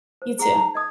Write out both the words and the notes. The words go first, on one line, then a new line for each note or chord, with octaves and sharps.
You too.
C5
G#4 F#5 A#5
D#4
D#5 D#6 G#6